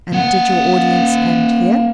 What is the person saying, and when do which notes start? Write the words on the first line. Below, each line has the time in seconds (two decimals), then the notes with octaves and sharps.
'And did your audience end here?'
0.13 A#3 F#5